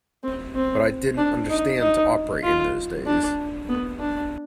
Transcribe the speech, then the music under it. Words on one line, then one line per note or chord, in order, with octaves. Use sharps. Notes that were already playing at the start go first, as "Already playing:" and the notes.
But I didn't understand to operate in those days.
C4
C4
D4
D#4
D#4
F4
D4
B3
D4